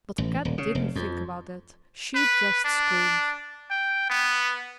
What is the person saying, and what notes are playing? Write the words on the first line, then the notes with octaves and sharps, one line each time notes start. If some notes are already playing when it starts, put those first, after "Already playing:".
But Kat didn't think about that; she just screamed.
A1
D#1
C#3
F1
F2
B4
D4
G5
B3